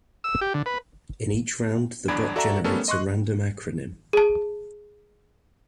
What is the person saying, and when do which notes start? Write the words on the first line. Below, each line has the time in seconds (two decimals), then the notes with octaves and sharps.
In each round, the bot generates a random acronym.
0.24 E6
0.41 G4
0.54 D3
0.66 B4
2.08 G1 E2 D4 B5 G#6 D7
2.35 F#4 A4 D5 E5 F#5 A#5
2.64 G3 A3 B3 C#4 A4 A#4
2.88 D#5 C6 C#6 F#6
4.13 G#4 A5